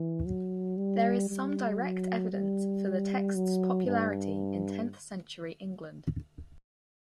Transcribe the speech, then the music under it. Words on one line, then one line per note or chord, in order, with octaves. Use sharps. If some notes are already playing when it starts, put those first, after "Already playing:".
There is some direct evidence for the text's popularity in tenth-century England.
Already playing: E3
F#3
G3
G3
F#3
G3
F#3
G2